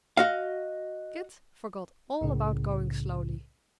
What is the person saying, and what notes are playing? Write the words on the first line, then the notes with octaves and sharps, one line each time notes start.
Kit forgot all about going slowly.
F#4 D#5 F5
C2 A2 C#3